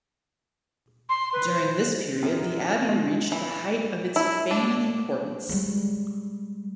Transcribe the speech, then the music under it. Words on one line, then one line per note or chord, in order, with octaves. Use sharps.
During this period, the abbey reached the height of its fame and importance.
C6
B4
C5
F#2
G#3
E3
E4
D4
G3 G#3